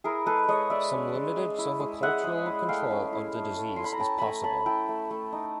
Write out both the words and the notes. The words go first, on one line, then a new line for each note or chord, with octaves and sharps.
Some limited silvicultural control of the disease is possible.
E4 G#4 A#4
G#3 A4 B4
G#3 C#5 D#5
G#3 D5 E5
C#4
G#3
G#3
E4
G#3
G#3 E5 F#5
G#3
E4
A3 F5 G5
C#4
E4
A3
A3
E4 C6
B5
A#5
C#4 G5 A5
A3 G#5 A#5 B5
C#4 A5 B5
E4 G5 A5
A3
A3
D#4